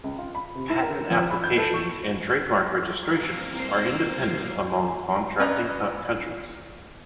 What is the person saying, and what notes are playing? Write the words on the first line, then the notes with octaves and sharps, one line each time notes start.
Patent applications and trademark registrations are independent among contracting countries.
C#2
F4
B5
C3
E4
A#4
F3
B5
G6
A4
C#6
F5 A#5
G3 A#3 C4 A#4
C5
F#3
C#4 D4 B4 D#5 A#5